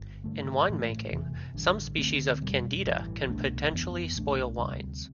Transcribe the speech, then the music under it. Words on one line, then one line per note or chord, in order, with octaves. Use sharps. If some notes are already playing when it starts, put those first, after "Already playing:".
In winemaking, some species of "Candida" can potentially spoil wines.
Already playing: G1
G2 D3 A3
A1 A2 E3 A3
F1 E2 C3 E3
A1 G2 D3
D2 D3 A3 C4
F1 E2 B2 G3
A1 G2 E3
C2 B2 A3 D4
G1 F2 E3 B3
C2 B2 A3 D4
D2 C3 G3